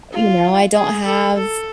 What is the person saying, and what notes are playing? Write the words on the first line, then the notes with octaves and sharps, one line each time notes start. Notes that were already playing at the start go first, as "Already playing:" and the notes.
you know, I don't have
F4
G#4
A4
A4